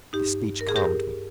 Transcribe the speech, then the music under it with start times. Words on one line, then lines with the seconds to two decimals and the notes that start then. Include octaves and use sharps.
This speech calmed me.
0.13 G2 D#4 G4
0.60 G2 A#4
0.69 G#4
0.76 G4 A#4